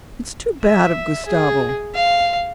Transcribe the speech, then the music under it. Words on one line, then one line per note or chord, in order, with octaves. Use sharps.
It's too bad of Gustavo!
E5
G#4
F5